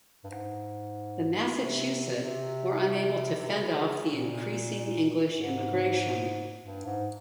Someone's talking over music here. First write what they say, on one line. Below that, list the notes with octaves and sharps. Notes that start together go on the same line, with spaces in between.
The Massachusett were unable to fend off the increasing English immigration.
G2
G#2
C3
C3
C3
C#3
A#2
G#2
G2
G#2